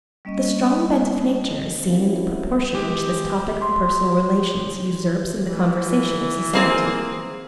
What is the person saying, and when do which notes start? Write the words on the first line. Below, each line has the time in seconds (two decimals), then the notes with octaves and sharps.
The strong bent of nature is seen in the proportion which this topic of personal relations usurps in the conversation of society.
0.25 G3 A#3 C#4 D#5
1.85 F#3 A#3 C4 C#4 E4 F#4
2.74 G#3 G4
3.62 C6
5.46 E3
6.53 A#3 C4 G#4